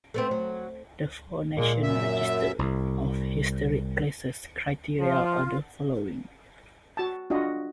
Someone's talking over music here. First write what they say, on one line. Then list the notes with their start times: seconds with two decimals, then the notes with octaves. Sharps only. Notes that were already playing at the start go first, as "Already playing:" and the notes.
The four National Register of Historic Places criteria are the following.
0.14 A3 B3 C4
0.31 F#3
1.57 A#2 G#3 A#3
1.83 F#2 E5
2.59 C2
5.01 F3 F4
6.97 F#4 A5
7.30 D4 F4 F#4 D#5